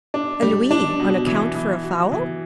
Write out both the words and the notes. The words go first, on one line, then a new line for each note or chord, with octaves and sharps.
"A louis on account for a fowl?"
D4
G3
D4
B2
E3
E3
F#4
E3